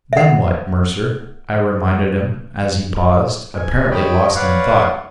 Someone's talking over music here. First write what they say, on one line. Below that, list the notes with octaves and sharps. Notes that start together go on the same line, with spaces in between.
"And then what, Mercer?" I reminded him, as he paused, apparently lost in thought.
E5 F#5
G#5
C#5 D#5 G5 B5
B4 C#5 D5 F5 F#5